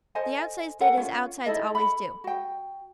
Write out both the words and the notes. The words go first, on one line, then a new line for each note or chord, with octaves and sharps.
The outsides did as outsides always do.
A4 C5 D#5 G#5
A4 A#4 F#5 G5
C#4 F4
D#4 E4 A4 D#5
A4 B5
F#4 G5